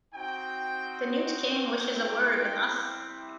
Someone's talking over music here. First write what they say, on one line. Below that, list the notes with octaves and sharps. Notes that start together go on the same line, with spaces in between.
The newt king wishes a word with us.
C4 D#4 F#4 G5
G5
G3 C4 E4 G4 G5